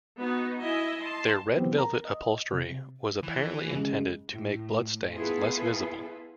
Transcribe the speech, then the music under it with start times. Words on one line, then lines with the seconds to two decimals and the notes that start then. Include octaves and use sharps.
Their red velvet upholstery was apparently intended to make bloodstains less visible.
0.20 B3 D#4 F#4
0.60 E4 D#5 E5 G#5
1.02 A5 C6
1.55 E3 F#3 B3 C4 G4
1.77 A#4 A#5
2.05 D#5
2.53 C3
3.23 E3
3.73 C#3 G#3
4.30 A2
5.13 B3 E4 F4 G#4 A4 B4